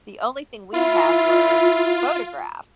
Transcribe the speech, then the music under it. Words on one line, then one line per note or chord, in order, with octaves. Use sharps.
the only thing we had were photographs,
E4 F4